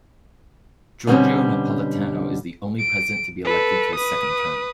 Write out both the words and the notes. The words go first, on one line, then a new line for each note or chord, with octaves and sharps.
Giorgio Napolitano is the only president to be elected to a second term.
B2 D3 G3 A#3 C4 C#4
D7
A4 B4
B4 D#6